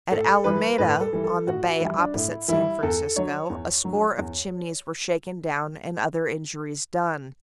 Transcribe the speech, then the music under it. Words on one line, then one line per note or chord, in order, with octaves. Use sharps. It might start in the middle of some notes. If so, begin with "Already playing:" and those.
At Alameda, on the bay opposite San Francisco, a score of chimneys were shaken down and other injuries done.
A2 A4
E3 G3 B4
A2 B4
A4
E3 G3
A4
A2 F#4
F#4
E3 G3 E4
D4
A2 E4
E3 G3 E4
E2 A4
D3 F#3 C#5
E2
D3 F#3
E2